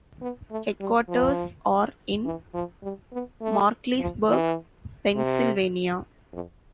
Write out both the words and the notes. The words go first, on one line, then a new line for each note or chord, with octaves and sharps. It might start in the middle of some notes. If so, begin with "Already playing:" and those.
Headquarters are in Markleysburg, Pennsylvania.
B3
A3
G3
F3
E3
F3
G3
B3
A3
F3
E3
C3
F2